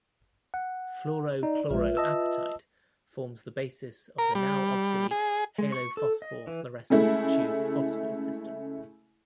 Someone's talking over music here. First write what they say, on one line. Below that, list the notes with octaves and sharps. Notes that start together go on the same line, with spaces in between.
Fluoro-chloro apatite forms the basis of the now obsolete Halophosphor fluorescent tube phosphor system.
F#5
D#4 D5
A#1 G#3 F4 B4 E5
D#5 A5 E6
A#4
G3
G#4
G#3
C#6
A4
D#5
E3
C#3 G#3 A3 E4